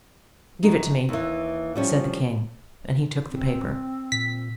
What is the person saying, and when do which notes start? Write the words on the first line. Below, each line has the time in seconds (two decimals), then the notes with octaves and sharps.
"Give it to me," said the king; and he took the paper.
0.63 F#2 D#4
1.09 D#2 E3
1.76 F3 G3 C#4
3.28 C4
4.12 A#2 B6